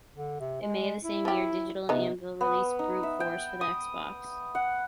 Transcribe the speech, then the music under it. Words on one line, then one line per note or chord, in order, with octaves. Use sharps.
In May of the same year, Digital Anvil released "Brute Force" for the Xbox.
D3
C3
G#3
E4
F3 G4
C3 B3 D#4
B3
D#4
E5
G5
D#6
F#5